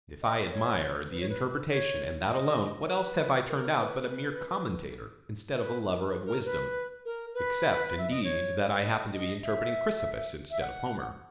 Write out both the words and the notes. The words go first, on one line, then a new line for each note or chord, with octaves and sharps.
But if I admire the interpretation and that alone, what else have I turned out but a mere commentator instead of a lover of wisdom?--except indeed that I happen to be interpreting Chrysippus instead of Homer.
D#5
C#5
B4
C#5
B4
C#5
D#5
C#5
B4
A#4
B4
B4
A#4
B4
A#4
B4
A#4
B4
E5
D#5
C#5
D#5
D#5
E5
E5
F#5